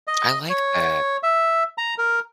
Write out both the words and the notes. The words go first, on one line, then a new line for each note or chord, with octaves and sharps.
I like that.
D#5
C#5
E5
A#5
A#4